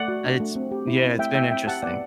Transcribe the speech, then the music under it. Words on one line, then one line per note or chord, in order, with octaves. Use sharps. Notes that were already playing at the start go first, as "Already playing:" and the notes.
it's yeah, it's been interesting.
Already playing: A3 D5 F#5
F#4
D4
A3
C4
G4
E4
C4
A3 E5 G5
E4 E5 G5
C4 E5 G5
G4 F#5 A5
B3 D5 F#5